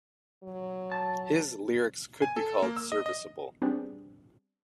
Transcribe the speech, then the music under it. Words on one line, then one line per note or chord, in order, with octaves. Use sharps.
His lyrics could be called serviceable.
F#3
A5
G#5
A4
A#3
E6
D#5
D#5
G3 B3 C4 D4 G4 G#4